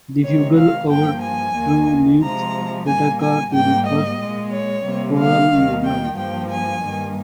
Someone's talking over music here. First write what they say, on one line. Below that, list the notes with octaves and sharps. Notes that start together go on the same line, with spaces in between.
The fugal overture leads attacca to the first choral movement.
C3 D#3 G#3 C#5
F5
G2 F3 A#3 G5
G#5
D#2 D#3 A#3
C3 F3 G#3 A#5
A#2 G3 A#3 G#5
G#5
G#2 G3 A#3 G5
D#5
A#2 G#3
C#5
C3 G3 A#3
F5
D#2 D#3 G3 A#3
G5
G2 F3 A#3 G5
G#5
G2 D#3 G3 A#3